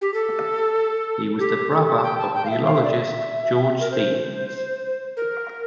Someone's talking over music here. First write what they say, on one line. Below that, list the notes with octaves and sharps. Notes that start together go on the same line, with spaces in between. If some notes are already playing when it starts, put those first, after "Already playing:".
He was the brother of the philologist George Stephens.
G4
A4
G4
A4
A5
G5
A5
G5
F5
E5
F5
E5
D5
E5
A#4
C5
A#4